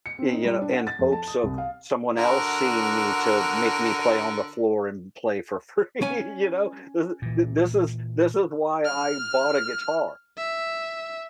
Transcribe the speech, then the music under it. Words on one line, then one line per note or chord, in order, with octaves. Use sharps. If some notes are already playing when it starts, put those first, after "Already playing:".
y you know, in hopes of someone else seeing me to make me play on the floor and play for free, you know? This is th this is this is why I bought a guitar,
C#7
C4
D#4
G3
D4
F#5
A6
F2
A5
D#6
C2
F5
D3 F#4 A#4
C#4 G#5
A#2 E3
F6
E5